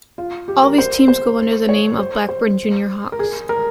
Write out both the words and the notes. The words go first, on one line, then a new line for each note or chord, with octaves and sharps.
All these teams go under the name of Blackburn Junior Hawks.
F4
G4
A#4
C5
C5
C#5
C5
C5
A#4
G#4
A#4